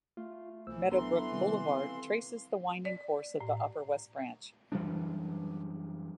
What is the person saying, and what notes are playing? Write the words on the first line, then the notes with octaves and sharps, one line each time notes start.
Meadowbrook Boulevard traces the winding course of the upper west branch.
A3 F4
B1 E3 C5 E6
E3 F#3 B3 D4 A4 A#5 C6
C3 D#3 G3 C4
C4 A4 F5
D5
A2
F#2 E3 G3 D4